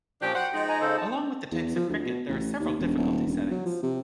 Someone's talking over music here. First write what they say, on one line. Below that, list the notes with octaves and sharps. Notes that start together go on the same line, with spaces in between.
Along with the types of cricket there are several difficulty settings.
A#2 F3 C#4 D4 G4
F#4 C5 F#5 G5
F3 G#3 D#4
G#5 A#5
C#3 A4 C5
A5
E2
F3
D2
B2
A1
D#2
E1
D#1
E1
F#3
F3
C3